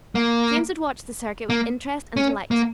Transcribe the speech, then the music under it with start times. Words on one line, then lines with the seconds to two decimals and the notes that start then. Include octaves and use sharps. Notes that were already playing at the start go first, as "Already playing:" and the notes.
James had watched the circuit with interest and delight.
0.15 A#3
1.50 A#3
2.17 C#4
2.51 A#3